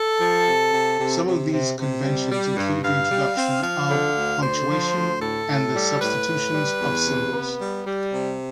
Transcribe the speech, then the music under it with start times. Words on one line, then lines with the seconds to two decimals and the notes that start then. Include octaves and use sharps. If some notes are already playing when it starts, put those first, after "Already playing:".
Some of these conventions include the introduction of punctuation and the substitutions of symbols.
Already playing: A4
0.19 F3
0.46 C3
0.73 C3
0.99 C3
1.25 C3
1.52 C3
1.78 C3
2.04 G3
2.31 G3
2.57 G2
2.83 G2 F5
3.10 G3
3.37 C4
3.63 F3 F5
3.89 D3
4.15 D2
4.42 D3 C5
4.68 F3
4.95 D2
5.21 A2 A4
5.48 A2
5.74 G3
6.01 A2 B4
6.27 A2
6.53 G3
6.80 E2
7.06 C3
7.32 B3
7.59 G3
7.85 G3
8.12 C3